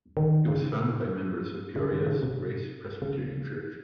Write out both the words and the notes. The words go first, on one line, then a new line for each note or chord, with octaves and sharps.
It was founded by members of Peoria's Grace Presbyterian Church.
D#3
C#3
C#3
D#3
C#3
C3
C#3